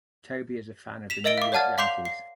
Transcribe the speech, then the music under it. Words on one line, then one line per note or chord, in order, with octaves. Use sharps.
Toby is a fan of the New York Yankees.
B6 E7 F7
A#4 D#5 E5 A6 D7 G7
F5 D6
C#5 D5 F#5 A5 F6 A6
F5 C6 D6 G6 C7 F7
C7